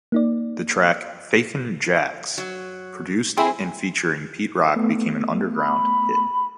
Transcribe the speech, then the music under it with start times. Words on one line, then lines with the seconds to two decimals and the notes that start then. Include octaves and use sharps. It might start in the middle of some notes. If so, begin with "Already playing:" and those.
The track "Fakin' Jax", produced and featuring Pete Rock, became an underground hit.
0.12 A#3 D#4 D5
2.38 F#3
3.37 C4 E4 G#4
4.76 A3 B3
5.57 B5